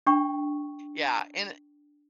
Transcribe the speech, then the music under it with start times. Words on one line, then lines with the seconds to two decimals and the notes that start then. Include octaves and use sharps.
Yeah, and it
0.06 D4 G5 C#6